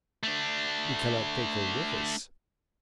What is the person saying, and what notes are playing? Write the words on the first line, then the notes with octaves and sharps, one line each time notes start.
"We cannot take her with us."
A3 D4